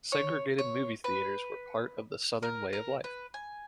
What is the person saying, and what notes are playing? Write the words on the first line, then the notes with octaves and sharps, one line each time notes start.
Segregated movie theaters were part of the southern way of life.
C#5
C#5
B4
A#4
A#4
B4
G#5